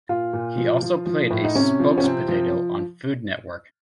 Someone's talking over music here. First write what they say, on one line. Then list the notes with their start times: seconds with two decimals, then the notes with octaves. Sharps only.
He also played a spokes-potato on Food Network.
0.09 A#2 F4
0.33 A#2
0.58 F3
0.82 F3
1.06 F3
1.30 A2
1.44 D#4
1.55 C3 C#4
1.80 F3
1.98 C#4
2.03 C3 C4
2.28 F3